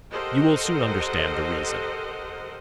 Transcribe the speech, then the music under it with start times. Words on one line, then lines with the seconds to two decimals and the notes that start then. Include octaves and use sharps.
You will soon understand the reason.
0.11 G4 A4 A#4 C5 D#5 F#5